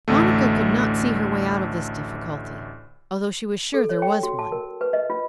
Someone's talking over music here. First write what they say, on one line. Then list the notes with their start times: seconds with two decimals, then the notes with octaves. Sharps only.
Monica could not see her way out of this difficulty, although she was sure there was one.
0.08 A1 D2 A3
3.74 A4
3.89 C#5
4.02 G5
4.23 F#4
4.39 A5
4.52 A#4
4.81 B4
4.93 D#5
5.10 F4